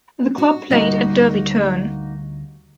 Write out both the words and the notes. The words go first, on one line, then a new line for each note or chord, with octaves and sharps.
The club played at Derby Turn.
F#4
D2 G3 A#3 D#4 F#4 A#5